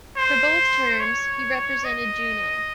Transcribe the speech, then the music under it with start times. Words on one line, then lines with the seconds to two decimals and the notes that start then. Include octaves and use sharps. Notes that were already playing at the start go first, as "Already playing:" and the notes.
For both terms, he represented Juneau.
0.17 C5
1.00 C#5
1.84 D#5